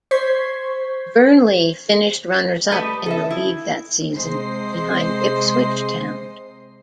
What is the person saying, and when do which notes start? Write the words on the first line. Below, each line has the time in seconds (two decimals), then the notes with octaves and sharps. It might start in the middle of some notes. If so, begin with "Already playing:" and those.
Burnley finished runners-up in the league that season, behind Ipswich Town.
0.11 C5 C#6 G6 G#6 B6 C7
2.71 G3 A3 B4 D#5
3.06 A4 D#5 E5
3.30 E4
4.16 C3 G#3 C5 D#5 C7